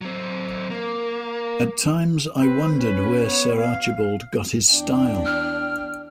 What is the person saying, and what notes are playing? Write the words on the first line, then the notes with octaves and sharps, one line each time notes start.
At times I wondered where Sir Archibald got his style.
F#3 C4
A#3
C4 B4
C#4 B4
B3 C#5
F5
E2 D4 G5
F6